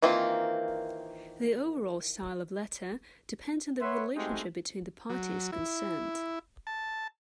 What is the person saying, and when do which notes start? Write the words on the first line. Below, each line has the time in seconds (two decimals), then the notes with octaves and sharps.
The overall style of letter depends on the relationship between the parties concerned.
0.02 D#3 E3 A#3 C4 F4
3.81 B4 C#5 E5 F#5 B5 C6
4.16 G#3 A3 C4 D#4 F#4 G4
5.10 F#3
5.52 E4
6.67 A5